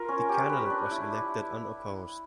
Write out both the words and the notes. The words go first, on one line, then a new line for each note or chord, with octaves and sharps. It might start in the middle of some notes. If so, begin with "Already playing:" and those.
The candidate was elected unopposed.
Already playing: F4 A#4
C#4
G4
B4
D4
E4